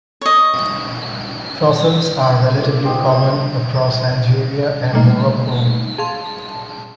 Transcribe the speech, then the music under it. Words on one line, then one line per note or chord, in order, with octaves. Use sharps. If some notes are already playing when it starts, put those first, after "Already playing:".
Fossils are relatively common across Algeria and Morocco.
C#5 D#5
A#3 F4
B3 D#4 G4 C5
C5 D#5 E5
D3 G3 A3 A#3 D#4
G#4 F5 A5 C6